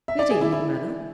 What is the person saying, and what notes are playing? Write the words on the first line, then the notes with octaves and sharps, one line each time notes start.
'Good evening, Mother.'
E5
D5
G#4
E4
E4